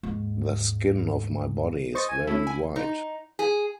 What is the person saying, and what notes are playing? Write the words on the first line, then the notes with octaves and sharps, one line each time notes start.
The skin of my body is very white.
D#2 G#2
C5 D#5 C#6 A6
G#5
A3 C#4 E4
G#5
D#4
G#4